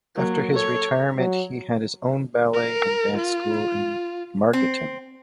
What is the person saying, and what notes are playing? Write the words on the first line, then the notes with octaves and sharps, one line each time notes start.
After his retirement he had his own ballet and dance school in Margareten.
F#3 A#3
A4 C#5
F#3
A#4
F4
C4